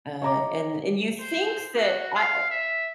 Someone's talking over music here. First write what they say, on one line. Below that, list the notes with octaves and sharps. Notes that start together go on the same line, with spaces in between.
uh and and you think that I
C#5 D#5 A#5 D6
C5
F#4
F5
E5